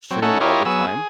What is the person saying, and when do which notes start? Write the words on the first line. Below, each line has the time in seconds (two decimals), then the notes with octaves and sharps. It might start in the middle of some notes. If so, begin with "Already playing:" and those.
stream all the time,
0.11 F#3 C4
0.22 A3 C#4 D#4 A4 F#5
0.41 E4 F4 G4 A#4 C#5 D#5
0.65 F#3 B3 G#4 E6
0.87 G#4